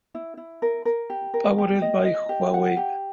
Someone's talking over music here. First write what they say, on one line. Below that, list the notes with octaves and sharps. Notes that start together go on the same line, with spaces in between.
Powered by Huawei.
E4
E4
A#4
A#4
G4
A#4
G4
D#5
D#5
G4
F#5
G4